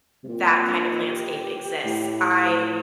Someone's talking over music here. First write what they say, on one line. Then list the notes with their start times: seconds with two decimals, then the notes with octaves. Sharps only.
that kind of landscape exists, I
0.24 C3
0.28 A#2 C4
0.47 C4
0.67 D4
0.86 D#4
1.06 G4
1.85 A2
2.62 F4